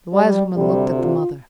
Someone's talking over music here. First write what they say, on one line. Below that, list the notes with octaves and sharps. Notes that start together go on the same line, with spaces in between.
The wise woman looked at the mother.
G3
D2 C3 G3
F4